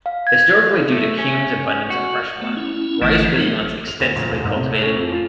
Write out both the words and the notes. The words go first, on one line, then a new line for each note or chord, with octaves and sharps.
Historically due to Kume's abundance of freshwater, rice was once extensively cultivated.
F5
G#6
A3
C#4
F#4
A3 B3
C#4 E4
A1 D3 E3 A3 D#5
E3 F3
F#3 B3 C4 D#4
F7
D2
A#1
D#1
G#2
C3
A4
C#4
F2
F4